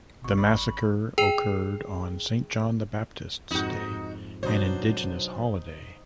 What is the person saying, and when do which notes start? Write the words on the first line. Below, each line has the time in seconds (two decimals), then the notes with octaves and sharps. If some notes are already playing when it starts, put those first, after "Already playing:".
The massacre occurred on Saint John the Baptist's Day, an indigenous holiday.
0.24 G#1 B2 C#6
0.38 D5 B5
1.18 G#4 G5 C7 F7
3.51 F2 G#2 D#4 F#4
4.43 B2 F#3 D4 D#4 C5